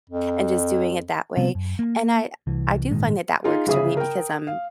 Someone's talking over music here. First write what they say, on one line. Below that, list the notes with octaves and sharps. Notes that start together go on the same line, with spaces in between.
and just doing it that way and I I do find that that works for me because, um,
F2
C3 G3 B3 C4
F#2
A#3
C2 E3
G#1 A#2 D#3 G#3
D#4 F4 G#4
G1 C#3 G#4 E5 D#6
A#4 G5
F5